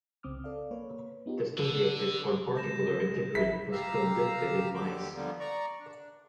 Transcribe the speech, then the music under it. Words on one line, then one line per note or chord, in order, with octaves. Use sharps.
The study of this one particular integrin was conducted in mice.
C2 C#3 C4 D6 D#6 F6
A4 D5 F5
A#3 B4 C#5
B3 D#4 F4 G4
D3
G#3 G6 A#6 E7
A1 E4 B6
G4 F5 A#5 E6
D#2 D3 G4 D6
D3 F3 G3 A#3 B3
D5 A#5 C#6
D4